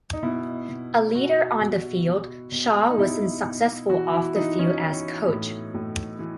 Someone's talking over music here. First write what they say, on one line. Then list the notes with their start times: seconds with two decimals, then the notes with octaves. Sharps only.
A leader on the field, Shaw was unsuccessful off the field as coach.
0.13 D#4
0.23 B2 E4
0.69 B2
1.15 B2 F#4
1.61 B2
2.06 B2
2.52 B2
2.90 D#4
2.98 B2 E4
3.45 B2
3.89 E3 F#4
4.13 E4
4.36 E3 D#4
4.59 C#4
4.82 E3
5.27 A2
5.74 A2
6.19 E3